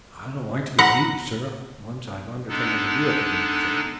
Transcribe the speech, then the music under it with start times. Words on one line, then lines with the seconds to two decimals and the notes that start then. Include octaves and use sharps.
"I don't like to be beaten, sir, once I've undertaken to do a thing," he said.
0.79 F#5 A#5 B5
2.49 G#3 B3 D4 D#4 A4